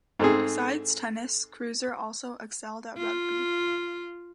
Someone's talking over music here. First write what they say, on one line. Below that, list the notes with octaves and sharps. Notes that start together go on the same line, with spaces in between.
Besides tennis, Kreuzer also excelled at rugby.
G#2 A3 C4 G#4
F4